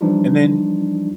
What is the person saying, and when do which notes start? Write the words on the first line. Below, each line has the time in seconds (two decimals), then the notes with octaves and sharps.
And then
0.01 E3 F3 G3 D4 D#4 F4